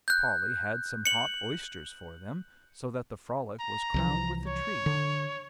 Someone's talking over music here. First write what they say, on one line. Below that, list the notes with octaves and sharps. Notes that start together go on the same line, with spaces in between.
Polly had some hot oysters for them, so that the frolic was crowned with a treat.
F#6 G6
C#7 F#7
A#5
C2 E3 F3
C#5
D3